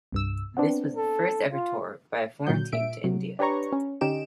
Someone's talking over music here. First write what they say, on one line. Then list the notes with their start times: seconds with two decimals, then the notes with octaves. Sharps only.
This was the first ever tour by a foreign team to India.
0.12 C2 G2 E6
0.57 B3 C4 D4
0.97 A4
1.52 F4
2.47 A#2 D3 F#3 G6
2.72 A#2 E5 D7
3.04 C3 F#3
3.39 D4 G4 B4 C#5 A#5 C#6
3.73 C#4
4.01 D3 C#4 D#4 G4 D7 E7